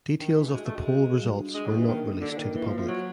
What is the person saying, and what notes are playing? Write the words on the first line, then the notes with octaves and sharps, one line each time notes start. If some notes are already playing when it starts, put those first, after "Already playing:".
Details of the poll results were not released to the public.
D#3 D4
E3 D4
A3
G#3 F#4
A3
F#4
G#3
F#4
F#4
G3
D4
G#3 D4
F#3
A#3
E3
D#3 A#3
D4
D3 F#4
D3
D#3 A#3
E3 A#3
F3
A#3
F3
F#3 C5